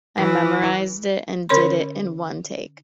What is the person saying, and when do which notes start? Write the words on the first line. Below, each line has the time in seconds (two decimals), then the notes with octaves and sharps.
I memorized it and did it in one take.
0.16 E3
1.49 D3 C#4 A#4 C#5 B5 C6